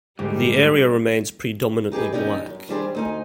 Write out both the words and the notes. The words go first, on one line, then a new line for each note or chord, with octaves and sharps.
The area remains predominantly black.
D2 G#2 G3 G4
D#4 G4 G#4 B4
D#2 C#4 D#4 G4 D5
F#2
D#3 G3 D4 G4 G#4 C5
D2 D#4 G#5